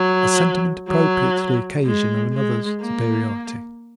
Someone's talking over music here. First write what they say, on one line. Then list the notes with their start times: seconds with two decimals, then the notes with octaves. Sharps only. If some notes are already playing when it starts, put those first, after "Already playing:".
A sentiment appropriate to the occasion of another's superiority.
Already playing: F#3
0.88 F#3
1.85 G#3
2.33 G#3
2.81 A#3